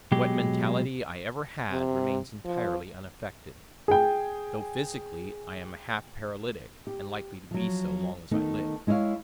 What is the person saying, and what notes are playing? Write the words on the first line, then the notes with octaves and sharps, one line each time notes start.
What mentality I ever had remains entirely unaffected; though physically I am a half-paralytic, and likely to be so, long as I live.
B2 F#3 G#3 G4
C3
F3
G#4 G5
G4
F3 F#3
D#3 A3 B3 D#4
G#3 E4 C#5 E5 F5